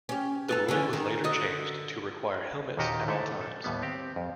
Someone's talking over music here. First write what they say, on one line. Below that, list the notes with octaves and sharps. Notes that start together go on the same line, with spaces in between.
The rule was later changed to require helmets at all times.
C#4 G4
B3 F4 A4
D3 E3 C#4
D#3
D3 F#4 D#5
D#2 A#2 D#3 F#4 G4 D#5
D3 A3 E4 A4
A4
D#2 A2 G3 B3
C4 G4
F2